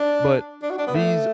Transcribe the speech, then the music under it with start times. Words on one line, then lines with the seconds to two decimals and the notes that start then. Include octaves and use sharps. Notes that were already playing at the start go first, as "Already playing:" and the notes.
But these
Already playing: D4
0.62 D4
0.70 F#4
0.78 D4
0.87 B3
0.95 A3